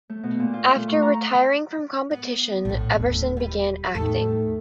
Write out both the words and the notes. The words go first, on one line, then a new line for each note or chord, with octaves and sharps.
After retiring from competition, Everson began acting.
A3
B2
A#2
F4
A3
C#6
A#5
B3
A#1 A2 D3
D#1 G#1 B3
G3 B4
E2 A2 D#3 A3 A4